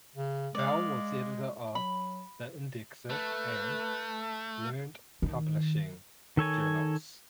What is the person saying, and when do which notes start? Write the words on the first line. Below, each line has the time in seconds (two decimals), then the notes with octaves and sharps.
Bell was editor of "The Indexer" and "Learned Publishing" journals.
0.16 C#3
0.55 G#3 D5 F5
1.75 F#3 B5
3.10 A3 B4
5.22 D#3
6.37 D#3 A4 C#5 G#5